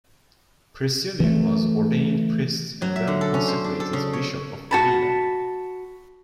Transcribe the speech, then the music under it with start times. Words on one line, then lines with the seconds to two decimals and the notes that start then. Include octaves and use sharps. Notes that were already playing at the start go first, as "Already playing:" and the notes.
Priscillian was ordained priest and then consecrated bishop of Avila.
1.20 E3 A3
2.82 F#3
2.96 E5
3.07 D3
3.21 A4
3.34 C#4
3.48 C5
3.64 D4
3.80 A4
3.93 C#3
4.13 C#5
4.71 F#4 A5 B5